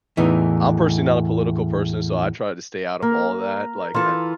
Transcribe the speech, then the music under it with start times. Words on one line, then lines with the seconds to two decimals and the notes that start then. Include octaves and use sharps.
I'm personally not a political person, so I try to stay out of all that, like, I
0.17 E2 A2 E3 D#4
3.02 A#3 A#4
3.94 E3 F4 A4